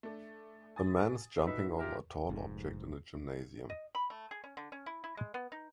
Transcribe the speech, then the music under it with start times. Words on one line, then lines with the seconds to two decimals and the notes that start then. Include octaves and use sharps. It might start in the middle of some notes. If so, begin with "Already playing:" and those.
A man is jumping over a tall object in a gymnasium.
0.03 A3 D4
0.76 G#5 D#6 A6
1.46 D#4 F#4 B4 E5
1.79 F4 G4 A#4 E5
2.29 F1 G#2
3.70 D#5
3.95 B5
4.10 A3
4.31 G#4
4.44 C#4
4.57 D3
4.72 C#4
4.86 E4
5.04 E4
5.17 G#3
5.34 B3
5.52 D#4